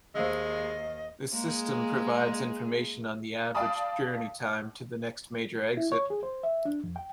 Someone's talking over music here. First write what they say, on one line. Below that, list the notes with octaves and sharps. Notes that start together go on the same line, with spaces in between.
This system provides information on the average journey time to the next major exit.
D#2 G#3 C5 D#5 F5 E6
G#3 A#3 G#4
D5 F5 G5 A5 B5 D#6
E4
C#5
G#4
C5
E5
D4
F2
G5